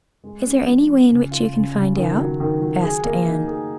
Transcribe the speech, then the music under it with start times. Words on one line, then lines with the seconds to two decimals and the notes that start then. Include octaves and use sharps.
"Is there any way in which you can find out?" asked Anne.
0.24 G#3
0.45 C#4
0.67 F3
0.89 F3
1.10 C#3
1.31 F4
1.54 C#3
1.75 C#3
1.96 D#3
2.18 F#3
2.40 D#3
2.60 F#3
2.83 G#4
3.04 A#3
3.26 D#4
3.48 G#4